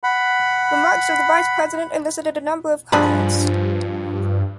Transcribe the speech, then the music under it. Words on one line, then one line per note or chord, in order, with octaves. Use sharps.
Remarks of the Vice President elicited a number of comments.
F#5 B5
G2 F3 D4 G#4 B5